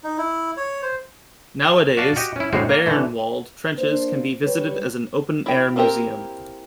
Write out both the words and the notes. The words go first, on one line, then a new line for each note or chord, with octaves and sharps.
Nowadays, the "Bayernwald" trenches can be visited as an open-air museum.
D#4
E4
C#5
C5
F#4 D5 F5 A5
F#4 G4 D#5
C#4 E4
A2 D3 G3 G#3 F#4 C5
A#3
D3 E3 A3
A#3 D4 C5
G3 B4 C#5
E4 G5
A#3 C4 E4 G4 A#4